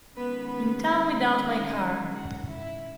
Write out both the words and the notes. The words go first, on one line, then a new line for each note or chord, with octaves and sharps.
In town without my car!
D#3 G#3 B3 C#4 B4
B3 B4
D#4 D#5
F#4 F#5
E4 E5